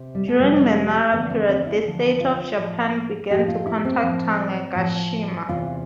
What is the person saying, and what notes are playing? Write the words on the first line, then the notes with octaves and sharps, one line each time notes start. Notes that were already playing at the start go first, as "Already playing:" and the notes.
During the Nara period, the state of Japan began to contact Tanegashima.
Already playing: C3
G3
A3
F2 C3 F3 G3
E2 D3 F3 B3
D4
C4
C4
E4
E2 D3 F3
F4
A2 F3
A2 F3 G4
F4
E4
C4
A2 F3
A2 F3
E2 C3 E3 F4